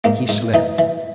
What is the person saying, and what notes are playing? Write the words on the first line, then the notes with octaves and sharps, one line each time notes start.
He slept.
G#2 A#3
G#2
E3 D#4
E3